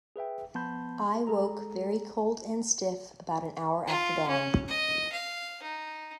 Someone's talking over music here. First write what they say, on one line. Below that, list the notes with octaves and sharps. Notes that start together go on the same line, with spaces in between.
I woke very cold and stiff about an hour after dawn.
G#4 B4 E5 G5
F3 B3 A5 B5 C6 G6
G#3 G#4 A4 A#5
F4
C#4
D#5
F5
D#4